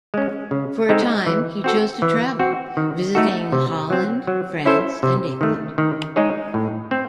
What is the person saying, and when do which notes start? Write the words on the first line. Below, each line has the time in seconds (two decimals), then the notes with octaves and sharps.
For a time he chose to travel, visiting Holland, France and England.
0.14 G#3 C#4
0.51 C#3
0.89 G#3 C4 D#4 A4
1.26 E3
1.64 C4 F#4 A4
2.02 E3
2.39 C4 F#4
2.77 D#3
3.15 A3 D#4 F#4 A4
3.52 C3
3.90 F#3 C4
4.27 F#3
4.65 C#4 E4 A4 C5
5.03 C3
5.41 D#3 A3
5.78 D#3
6.16 G#3 D#4 G#4 C#5
6.54 A2
6.91 C4